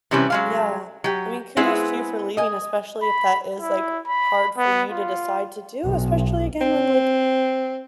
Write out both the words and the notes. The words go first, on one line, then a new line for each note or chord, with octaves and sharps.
Yeah. I mean, kudos to you for leaving, especially if that is, like, hard for you to decide to do, especially again when, like,
C3 E3 G3 C#4 E4 B4
F#3 G#3 F5
F#3 G4
G#3 B3 C4 E4 G#4
D#5 G#5
B5
E4
B5
B3
F4
B1
C4